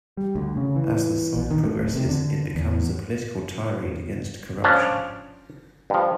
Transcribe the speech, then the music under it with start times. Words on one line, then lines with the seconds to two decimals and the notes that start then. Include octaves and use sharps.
As the song progresses, it becomes a political tirade against corruption.
0.17 G3
0.36 D2
0.57 C#3
0.76 E3
1.36 A#1
1.51 D#3
1.65 A3
1.81 D1
1.95 C3
2.09 D3
2.55 E2
4.64 F3 C#4 D4
5.90 G2 F3